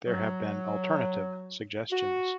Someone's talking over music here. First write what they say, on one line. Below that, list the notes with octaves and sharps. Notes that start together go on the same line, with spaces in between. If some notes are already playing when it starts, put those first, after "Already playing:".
There have been alternative suggestions.
F#3
F#4